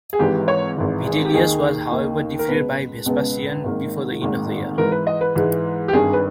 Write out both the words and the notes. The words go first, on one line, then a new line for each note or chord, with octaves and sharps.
Vitellius was, however, defeated by Vespasian before the end of the year.
G#4
G#1 G#2 E3 G4
C#5
G#1 G#2 E3
G#4
G4
D#2 D#3 A#3 D#4 G#4
D#2 D#3 A#3 D#4
A#4
C#2 B2 G#3 B3 B4
C#2 B2 G#3 B3
G#1 G#2 D#3 A#3
G#1 G#2 D#3 A#3
G#2 E3 G#3 A#4
B4
D#5
B4
G#2 E3 G#3
G4
G#1 G2 D#3 G#4
B4